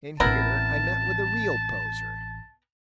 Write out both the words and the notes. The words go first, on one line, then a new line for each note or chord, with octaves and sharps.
And here I met with a real poser.
A1 B3 C4 E4 A#4 A5